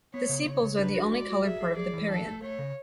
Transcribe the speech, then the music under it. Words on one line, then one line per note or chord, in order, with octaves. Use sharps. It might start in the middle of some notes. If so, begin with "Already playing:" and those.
The sepals are the only colored part of the perianth.
B3 C#5
C#3
C#3 C#5
C#3
D4 B4
F#4
G#3 D5
F#4
G#4 E5
G#4
G#4 D5
E3
D4 A4
A3
A3 C#5
C#3